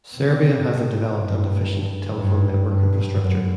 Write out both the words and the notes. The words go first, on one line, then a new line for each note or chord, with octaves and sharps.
Serbia has a developed and efficient telephone network infrastructure.
C3
G2
G2
G2
F#2